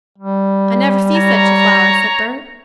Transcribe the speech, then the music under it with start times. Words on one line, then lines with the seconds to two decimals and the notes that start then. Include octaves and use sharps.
"I never see such a flower," said Bert.
0.18 G3
1.16 C#5 A#5